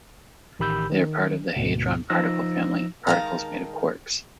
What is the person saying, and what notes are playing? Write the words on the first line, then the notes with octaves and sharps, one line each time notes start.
They are part of the hadron particle family - particles made of quarks.
A1 D#3 G4 B5 E6 G6
D#3
D2 G#2 B2
F3 D#4 E6 A#6
D#3 G#3 F5 A5 A#5